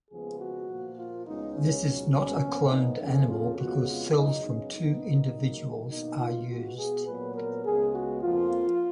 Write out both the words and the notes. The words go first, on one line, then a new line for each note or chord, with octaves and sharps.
This is not a cloned animal because cells from two individuals are used.
D#2 C#3 F3 G#3 B3 G#4
F#4
A#2 F3 A#3
F4
C#2 C#3 G#3 B3 D#4
C#4
C#2 B2 F#3
C#4
A#2 F3 B3
D#4
F2 C#3 F3 A#3 C#4
F4
F2 C#3 G#3 B3 F#4
F4
F#2 C#3 G#3 B3 D#4
C#4
A#2 F3 B3 D#4
G#2 D#3 F#3 A#3
B2 A#3 D#4
F4
B2 G#3 B3 F#4
G#4
A#2 F#3 B3 B4
A#4
C#2 C#3 G#3 B3 G#4
F#4
F2 F3 A#3 F4